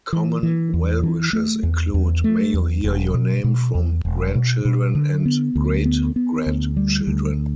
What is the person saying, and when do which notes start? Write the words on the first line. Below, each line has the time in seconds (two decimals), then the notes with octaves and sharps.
Common well-wishes include May you hear your name from grandchildren and great-grandchildren!
0.13 E3
0.43 E3
0.74 E2
1.03 E3
1.33 A3
1.63 E2
1.94 E2
2.24 A3
2.54 E2
2.84 E1
3.14 B2
3.44 B2
3.75 E2
4.05 E1
4.35 B2
4.65 B2
4.95 D3
5.26 B3
5.56 D2
5.86 B3
6.16 B3
6.46 D2
6.77 G3
7.07 D2